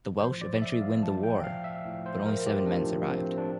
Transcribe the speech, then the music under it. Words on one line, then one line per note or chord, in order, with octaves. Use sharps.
The Welsh eventually win the war, but only seven men survived.
A2 F3 C5
D5
D5
E5
F5
A2 F3 A5
G5
F5
E5
A2 F3
C5
A#4
G4
A2 F3 D4
C4
D4